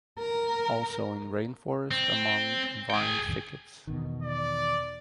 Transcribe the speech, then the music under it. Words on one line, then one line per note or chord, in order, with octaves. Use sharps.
Also in rainforest amongst vine thickets.
A#4
C4
G#4 G5
E2 B2 D#3
D5